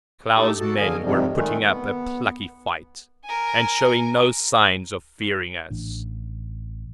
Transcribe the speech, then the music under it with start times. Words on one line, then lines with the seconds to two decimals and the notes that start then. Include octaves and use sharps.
Klow's men were putting up a plucky fight, and showing no signs of fearing us.
0.36 A3 D#4 G4 A4
0.60 F#4 A4 A5
0.77 E2 D3 D#5 F5 G#5
1.03 F2 G#2 C3 D#3 F3 G3
1.33 D#3 G#3 A3
1.67 B3
3.24 A#4 G#5
5.70 A1 A2 D4